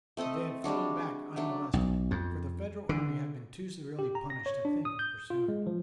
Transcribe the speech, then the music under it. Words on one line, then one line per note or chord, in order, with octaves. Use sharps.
But they had fallen back unmolested, for the Federal army had been too severely punished to think of pursuing.
A3 C4 A4 D#5
G3 G#3 D4 F#4
F#3 A3 D4
B1
F2
D3
G4
A#5
A#6
C#5
D4
D#6
G6
F4
G#3
F3